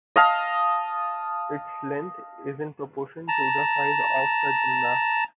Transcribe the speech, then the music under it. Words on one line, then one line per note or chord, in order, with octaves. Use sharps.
Its length is in proportion to the size of the gymnast.
D#5 F5 A5
A5 A#5